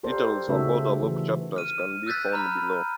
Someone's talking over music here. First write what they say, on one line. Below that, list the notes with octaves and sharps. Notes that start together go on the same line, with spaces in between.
Details about Local Chapters can be found below.
G4 A4 A#4 C5 D5
C#3 A3 D#4 F#4 A4 E5
E3
F6 D#7
E6 F#6 G6 A6 B6
A#5 B5 F6